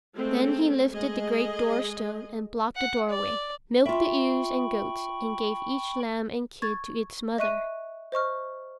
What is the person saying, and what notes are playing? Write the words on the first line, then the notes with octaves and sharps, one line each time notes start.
Then he lifted the great doorstone and blocked the doorway, milked the ewes and goats, and gave each lamb and kid to its mother.
G#3 A3 C4 A4
G#3 A3 G#4 D#5
F#5
D5
F4 E5 G5 B5 C#6
C#6 G#6 A6
D#5 E5 C#6 F#6 D#7
C5 D#5 C#6 F6